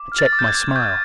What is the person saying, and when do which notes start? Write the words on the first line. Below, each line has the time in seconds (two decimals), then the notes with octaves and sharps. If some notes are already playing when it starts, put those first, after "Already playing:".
I checked my smile.
Already playing: D6
0.12 F6
0.18 A6
0.33 D6
0.39 G6
0.48 G#6
0.55 D6
0.75 C#6 G6